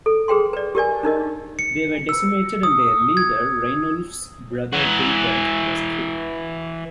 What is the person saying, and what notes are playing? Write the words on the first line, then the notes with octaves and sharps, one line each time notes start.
They were decimated and their leader, Rainulf's brother Gilbert, was killed.
A4
G#4 B4 G5 C6
B4 D5
G4 A#4 D5 G#5
D4 D#4 A#4 D#5
C#7
E6
D#6
G#6
E3 F#4